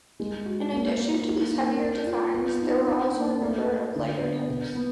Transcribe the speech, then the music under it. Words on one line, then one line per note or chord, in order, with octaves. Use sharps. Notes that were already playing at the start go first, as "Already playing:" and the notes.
In addition to these heavier designs, there were also a number of lighter types.
G#3
F#4
A#3
A#3
D#4
A#3
A#4
F4
B3
D#4
D4
A#3
A3
A3
D3
B3
B2
B3